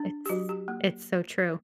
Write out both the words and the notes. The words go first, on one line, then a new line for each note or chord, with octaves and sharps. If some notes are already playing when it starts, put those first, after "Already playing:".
It's it's so true.
Already playing: D4
G4
F#3 F#4
G4
A#3